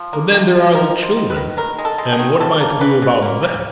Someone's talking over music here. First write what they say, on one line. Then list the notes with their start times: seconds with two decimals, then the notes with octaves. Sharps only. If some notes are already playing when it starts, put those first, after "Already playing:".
But then there are the children, and what am I to do about them?
Already playing: F3
0.13 A#3
0.34 C3
0.55 F3
0.75 D#3 A#4
0.96 D#3
1.03 C5
1.17 D#3
1.30 B4
1.37 D#3
1.57 D#3 A#4
1.78 G#3
1.85 A4
1.98 G#3
2.13 G#4
2.19 D#3
2.40 C#3 A4
2.60 A#3
2.81 C#3 B4
3.02 C#3
3.22 A#3
3.43 C#3